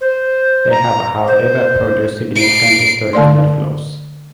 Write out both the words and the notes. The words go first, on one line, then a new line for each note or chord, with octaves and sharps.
They have however produced significant historic mudflows.
C5
A#5
C5
C7 D7
D3 A3 D5 C6